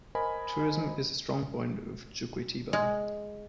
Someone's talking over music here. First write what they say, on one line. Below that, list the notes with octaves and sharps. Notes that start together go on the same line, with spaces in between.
Tourism is a strong point of Juquitiba.
A#4 C5 D#5 G#5 B5
G#3